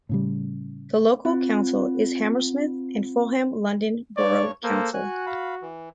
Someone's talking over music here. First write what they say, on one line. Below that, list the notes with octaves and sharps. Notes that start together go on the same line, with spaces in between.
The local council is Hammersmith and Fulham London Borough Council.
A2 C#3 G3
C4 F4
G2 C#5 D5 C#6
A#3 A4 C5
F#4 G#5 F#6
F5 B5
E3